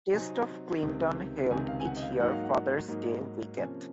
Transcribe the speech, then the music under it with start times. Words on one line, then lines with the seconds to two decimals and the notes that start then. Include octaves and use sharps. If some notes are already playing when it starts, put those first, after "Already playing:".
"Taste of Clinton" held each year Father's Day weekend.
0.13 C3 F#3 C4 D#4 G#5
0.82 C#2 C3 D#3
1.51 C#2 C3 D#3 G#5
1.68 F5
1.80 G#5
1.86 F#5
1.97 D#5
2.02 F5
2.20 G#2 F#3 A#3 D#4 F#5
2.32 F5
2.43 F#5
2.88 G#2 F#3 A#3 D#4
3.57 C3 F3 A#3 C#4 G#5